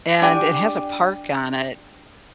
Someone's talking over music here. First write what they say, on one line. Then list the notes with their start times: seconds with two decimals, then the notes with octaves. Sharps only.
and it has a park on it
0.22 D4 G4 G5 G#5